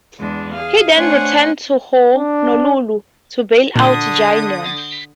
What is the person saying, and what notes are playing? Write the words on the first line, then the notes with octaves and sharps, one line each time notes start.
He then returned to Honolulu, to bail out Janion.
E2 G#3 D4
G#4 F5
A3 D4 C5 C#5 F#5 G#5
D4
A#2 D3 D4 D#6